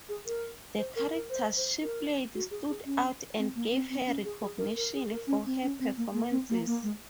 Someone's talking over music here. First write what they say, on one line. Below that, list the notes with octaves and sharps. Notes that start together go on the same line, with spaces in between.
The characters she played stood out and gave her recognition for her performances.
G#4
A#4
C5
A#4
A#4
C5
C5
A#4
F#4
G#4
G#4
C#4
C4
A#3
C4
C4
C#4
G#4
G#4
A#4
A#4
G#4
A#4
C#4
C4
C#4
C4
A#3
A#3
C4
A#3
A#3
G#3